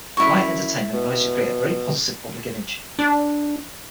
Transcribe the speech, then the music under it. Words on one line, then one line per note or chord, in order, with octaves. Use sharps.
Riot Entertainment managed to create a very positive public image.
F#2 E4 C#6
B2
D4